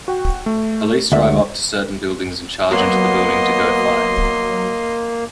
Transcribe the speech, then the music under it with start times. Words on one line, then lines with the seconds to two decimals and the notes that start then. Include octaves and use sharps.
Police drive up to certain buildings and charge into the building to go fight.
0.08 F#4 G5
0.46 A3
1.12 D2 D3 G#3 E5
2.71 F#3 A#3 B3 D#5 C6